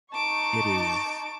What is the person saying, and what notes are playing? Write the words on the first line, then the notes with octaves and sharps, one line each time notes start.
It is.
D#4 A5 C#6 D6